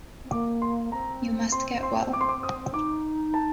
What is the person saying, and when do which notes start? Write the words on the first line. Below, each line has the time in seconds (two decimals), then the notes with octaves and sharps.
You must get well.
0.25 C4
0.31 A#3 D6
0.62 C6
0.92 C4 A#5
1.52 C6
1.83 C6
2.13 D6
2.21 C6
2.29 D6
2.43 D#6
2.74 D#4 D6
3.34 A5